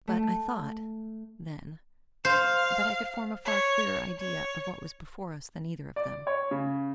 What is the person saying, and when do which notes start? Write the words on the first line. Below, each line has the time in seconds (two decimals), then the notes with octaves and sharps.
But I thought--then--that I could form a far clearer idea of what was before us than either of them.
0.07 A3
2.25 C5 F5
3.45 C#5
4.18 C#5
5.96 D5
6.27 C#5
6.51 C#3